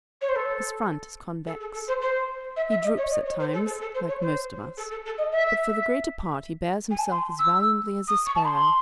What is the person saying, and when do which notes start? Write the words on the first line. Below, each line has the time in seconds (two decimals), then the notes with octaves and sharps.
His front is convex. He droops at times like most of us, but for the greater part he bears himself as valiantly as a sparrow.
0.21 C#5
0.28 C5
0.35 A4
1.46 A4
1.60 A4
1.73 A4
1.87 C5
2.01 C5
2.56 E5
2.69 E5
2.83 D#5
2.97 C#5
3.11 D#5
3.25 C#5
3.39 C5
3.53 A4
3.66 A4
3.80 A4
3.94 C5
4.08 C#5
4.21 C5
4.77 A4
4.90 A4
5.05 A4
5.18 D#5
5.32 E5
6.91 G#5
6.98 A5
7.10 C6
7.39 E6
8.07 D#6
8.26 C#6
8.35 A5
8.44 C6